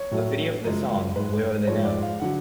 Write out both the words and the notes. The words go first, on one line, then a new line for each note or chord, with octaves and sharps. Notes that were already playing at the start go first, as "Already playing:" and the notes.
A video for the song Where Are they Now?
Already playing: C#5
A2 F#3 A3
F#2 C#3 F3 G#3
G#2 G#3 B4
G#2 F3 G#3 C#5
D5
F5
D3 F#3 F#5